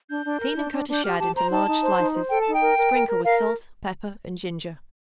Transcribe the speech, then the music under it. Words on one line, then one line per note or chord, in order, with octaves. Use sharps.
Clean and cut a shad into large slices; sprinkle with salt, pepper and ginger.
D4 G6
D4
A#4
D4
D4
D4
G6
G4 F6
G4 A5
C5 A#5
D#4 A5
D#4
C5
D#4
C5
A4 G5
D#4 A5
G5
A#4
A#4
A#4
A#4
A#4 F5